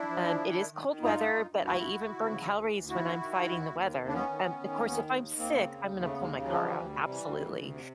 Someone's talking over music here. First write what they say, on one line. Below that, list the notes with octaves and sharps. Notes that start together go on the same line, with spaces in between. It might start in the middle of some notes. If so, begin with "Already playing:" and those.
um, it is cold weather, but I even burn calories when I'm fighting the weather. Um, of course, if I'm sick, I'm gonna pull my car out, absolutely.
Already playing: D4 E4
F3
F3
D#3
D#3
D#3
D#3
G2 D#4 F4
G2
G2
G2
D2 E4 F#4
D2
D2
D2
C#3
D2
E3
D2
D#2 E4 F#4
D#3
D#3
D#3
D#2
D#2
D#3
D#2
D4
D#3 B3 C#4
D#3
D#3
D#3
D#2
D#3
D#2
D#3
D#2 A#3 C4
C#3
D#2
D#2
C#3 A3 B3
D#2 B3
G#3 A#3
C#3
F#3 G#3
F3
G#3
E3 G3
D2
C3
E3
D2
E3
D2
C3